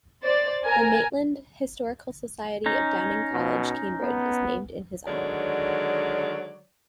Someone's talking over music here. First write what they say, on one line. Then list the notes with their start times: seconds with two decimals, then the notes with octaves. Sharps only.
The Maitland Historical Society of Downing College, Cambridge, is named in his honour.
0.23 C5 D5 A6
0.63 A#4 G#5 A#5
2.66 C#4 D#4
3.32 B2
4.01 B3
5.07 D3 D#3 F#3 G#3 C#5 D5